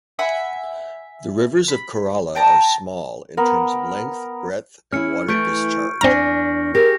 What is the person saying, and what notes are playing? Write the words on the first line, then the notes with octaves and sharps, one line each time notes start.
The rivers of Kerala are small, in terms of length, breadth and water discharge.
E5 F#5 G#5 B5
B5
G5 A5 A#5
B3 A#4
C#4 E4 F6 C#7
E3 A3 C#6 G6 D7
E2 C4 D4 G#5 A#5 F6 A#6 C#7
G4 G#4 A#4 A#6